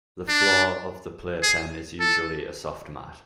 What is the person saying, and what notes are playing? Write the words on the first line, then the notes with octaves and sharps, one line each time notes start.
The floor of the playpen is usually a soft mat.
D4
G#4
A4